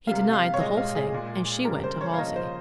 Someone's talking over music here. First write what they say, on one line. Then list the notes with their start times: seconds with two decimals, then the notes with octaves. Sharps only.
He denied the whole thing, and she went to Halsey.
0.07 C3 G3 A#3 F5
0.33 F5
0.54 C#5
0.60 A#2 G#3 D#5
0.77 F5
0.95 G#4
1.12 A#2 G#3
1.65 C#3 G3 A#3 A#4
1.84 C5
2.01 C#5
2.14 F5
2.18 C#3 F3 A#3 D#5
2.36 C5